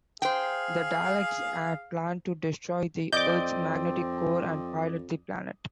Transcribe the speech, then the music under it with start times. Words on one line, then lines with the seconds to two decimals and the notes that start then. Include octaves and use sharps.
The Daleks here plan to destroy the Earth's magnetic core and pilot the planet.
0.22 G#4 C5 F5 G5
3.12 F2 C4 D5 D#5 D6 G6